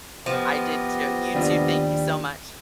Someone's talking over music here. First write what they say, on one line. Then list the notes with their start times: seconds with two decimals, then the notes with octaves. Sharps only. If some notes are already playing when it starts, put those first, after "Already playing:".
I did too. You too, thank you so much.
0.26 F3 B3 G4 D#5
1.34 D#2 G3 D4 F4